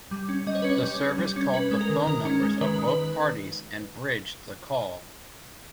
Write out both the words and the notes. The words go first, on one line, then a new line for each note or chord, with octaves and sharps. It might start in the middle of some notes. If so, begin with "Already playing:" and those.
The service called the phone numbers of both parties and bridged the call.
G3
C#4
G3 D#5
C#5
C#4 B4
C#5
G3
C#4
G3
C#4
C#4 B4
G#3
A#4
D#3
D#3 A#4
C#4
G#3
D#3 B4
D#3
B4